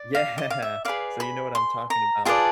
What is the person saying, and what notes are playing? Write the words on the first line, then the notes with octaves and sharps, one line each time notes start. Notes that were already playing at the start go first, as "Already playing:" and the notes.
Yeah, so you know what I'm talking about.
Already playing: D5
F5
D#5
F5
E5
G#4 B4 D5 F5
B5
C6
A#5
F4 G#4 B4 D5 A5